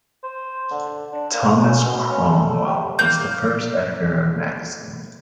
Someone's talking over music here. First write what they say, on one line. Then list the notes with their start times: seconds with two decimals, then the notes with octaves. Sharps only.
Thomas Cromwell was the first editor of magazine.
0.23 C5
0.71 D3
1.13 D4
1.34 A#3
1.63 C#4
1.85 B2
2.10 C#4
2.31 A3
2.66 G4
2.99 A#3 G6